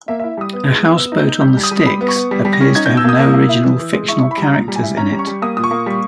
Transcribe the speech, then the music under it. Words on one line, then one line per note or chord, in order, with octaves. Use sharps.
"A House-Boat on the Styx" appears to have no original fictional characters in it.
A#3 E5
E4 E5
G3 D#6
B3
G#3
B3
B3 E6
D#4
G6
D#4
G3 G6
G3
D#6
G3
G3 B5
B3
C#6
B3
G3
G3
A#6
C#4
D#4 G#6
B2 G6
E6
A#3 D#6
A#3
A#3
E4
E3
E3
G#3
E4 C#6
E4 C#6
B5
G3 A#5
A#2 A#5
G3
G#5
E4
C#4 A#5
G3
C#6
G3
A#3 D#6
A#2 D#6
C#6
A#3
G3